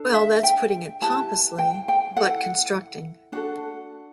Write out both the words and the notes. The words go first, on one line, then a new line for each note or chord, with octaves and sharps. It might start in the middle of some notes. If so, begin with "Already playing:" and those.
Well, that's putting it pompously - but constructing.
Already playing: D4 A4
E5
G5
E4 G4 B4 A5
G5
G5
E4 A4 F#5
D4 F#4 A4 F#5